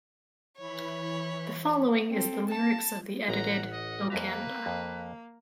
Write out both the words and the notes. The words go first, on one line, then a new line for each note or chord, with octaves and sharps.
The following is the lyrics of the edited "O Canada".
E3 C#5 B5
C4 A4
A5
A1 F#5 A#5
D#5
F2 A#3 B4 E5 A#5
F2